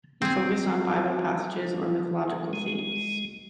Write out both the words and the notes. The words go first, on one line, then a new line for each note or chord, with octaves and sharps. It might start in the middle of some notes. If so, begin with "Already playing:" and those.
He focused on Bible passages or mythological themes.
C4 G#4
G#3